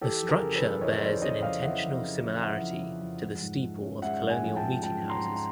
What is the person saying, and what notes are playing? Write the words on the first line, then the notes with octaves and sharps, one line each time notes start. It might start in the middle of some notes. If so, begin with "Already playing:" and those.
The structure bears an intentional similarity to the steeple of colonial meeting houses.
E3 G4 A4
F2
G#4 A#4
C#3
A4 B4
F2
E3 C#5 D#5
F2 C5 D5
C#3 C#5 D#5
F2 D#5 F5
E3 E5 F#5
F2
C#3
F2
E3 E5 F#5
F2
C#3
F2
G#3
G#2
F3
C#4
G#3 E5 F#5
G#2
F#5 G#5
F3
G5 A5
C#4
G#3 G5 A5
G#2
A#5 C6
F3
A#5